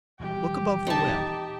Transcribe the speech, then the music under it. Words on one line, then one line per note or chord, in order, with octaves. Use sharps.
Look above the web.
D#1 E3 G3 G4
D#4 A5